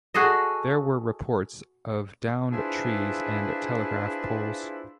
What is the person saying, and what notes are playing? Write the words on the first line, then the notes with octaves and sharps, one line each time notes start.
There were reports of downed trees and telegraph poles.
F#4 G#4 A4 D#5
D4 E4 F4 G#4 B4 C5